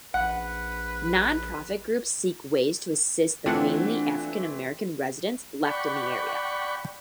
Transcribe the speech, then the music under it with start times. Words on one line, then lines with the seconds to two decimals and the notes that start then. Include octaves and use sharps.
Non-profit groups seek ways to assist the mainly African-American residents left in the area.
0.14 A#1 B4 F#5
3.46 E3 A3 C4 D4 F4 F#5
5.65 D5 F#5 G5 B5 C#6